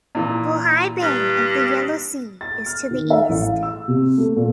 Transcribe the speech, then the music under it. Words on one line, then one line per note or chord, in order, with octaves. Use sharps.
Bohai Bay of the Yellow Sea is to the east.
A#2 E3
G2
A6
F6
D#3
E5
A1
F5
E6
C3
A3
A#2